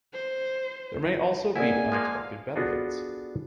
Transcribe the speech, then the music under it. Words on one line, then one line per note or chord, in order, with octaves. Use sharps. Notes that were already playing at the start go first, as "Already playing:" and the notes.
There may also be unexpected benefits.
C5
G1 C#2 A#3 E4 G#4 D5 F#5 G#5
F3 G#3 A#3 F5
B3 D4 F4 F#4 G#4 A4